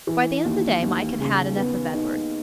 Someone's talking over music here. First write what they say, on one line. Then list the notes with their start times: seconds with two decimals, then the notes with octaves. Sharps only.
By the end of the day Mike had had enough of Edward.
0.07 E3
0.45 D#2
0.82 D#2
1.20 C#3
1.56 B3
1.94 D#4